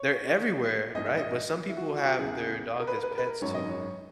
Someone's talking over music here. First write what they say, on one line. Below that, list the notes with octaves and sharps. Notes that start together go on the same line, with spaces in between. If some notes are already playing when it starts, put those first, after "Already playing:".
they're everywhere, right? But some people have their dogs as pets, too,
Already playing: C#5
A#1 G#2 E3 D#5
E5
D#5
E4
F#4
F#4
E2 C#3 E3 G#4
A#4
B4
A#4
B4
A#4
B4
A#4
G#1 F#2 D#3 F#3 C#5
D#5
C#5